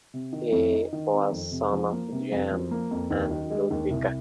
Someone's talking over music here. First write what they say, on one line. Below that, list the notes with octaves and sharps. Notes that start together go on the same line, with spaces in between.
He was son of Jan and Ludwika.
C3
D#3
F2
D#4
D#3
C4
F2
C3
F3
A#3
C3
F2
F3
A#3
F2
D#2
D#3
G#3
D#2
C2